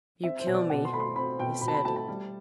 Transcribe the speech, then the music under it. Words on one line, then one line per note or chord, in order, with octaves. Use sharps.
"You kill me!" he said.
C4 E5
C5
B2
D5
B2 F#5
C6
A3 B5
C6
C4 B5
B2 G5
B2 B5
A5
B5
A3 A5
A5
G3